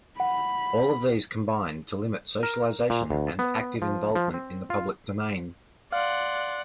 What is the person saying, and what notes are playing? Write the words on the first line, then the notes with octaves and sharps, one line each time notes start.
All of these combine to limit socialization and active involvement in the public domain.
F#5 B5
A#4
A#2
D2
B3
F3
F3
C4
F4
D5 F5 F#5 C6